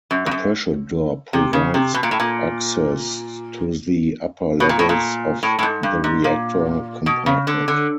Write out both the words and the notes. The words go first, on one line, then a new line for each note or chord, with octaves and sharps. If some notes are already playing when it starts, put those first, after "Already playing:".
A pressure door provides access to the upper levels of the reactor compartment.
F#2
F2
F#2
C3
C#3
C3
B2
A#2
A2
A#2
B2
A#2
A2
A#2
A2
A2
G#2
G2
G#2
A#2
B2
C#3
D3
D3